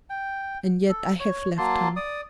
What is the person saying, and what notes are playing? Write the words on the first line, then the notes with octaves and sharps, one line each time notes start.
And yet I have left him.
G5
A4
C#5
F#3 A#3 A5 C6
D5 D#6